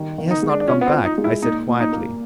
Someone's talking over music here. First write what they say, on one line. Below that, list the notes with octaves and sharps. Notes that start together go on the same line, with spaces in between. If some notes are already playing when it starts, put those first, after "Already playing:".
"He has not come back," I said quietly.
Already playing: D#3 G3
D#3
D#4
G#3
D4
D4
C#4 F4
B3
C4
F4
D#4
G#3
E4
A#2 D#4
A#2
D#4
A#3